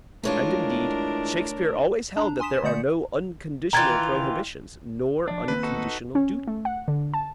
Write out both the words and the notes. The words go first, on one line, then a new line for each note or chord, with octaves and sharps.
And indeed, Shakespeare always held that there are no unconditional prohibitions, nor unconditional duties.
E3 G#3 A3 D4 F4 A#4 C#5
D4 A#5
G#5 C6 D#6 B6 E7
D3 A3 D5 D#6 G6 C#7
D#3 E3 F4 A#5 G#6 A6
F3 D4 D5
D#2 A#3 C4 B4
D#4 F#4 A4
C#4
A3
F#5
D3
A5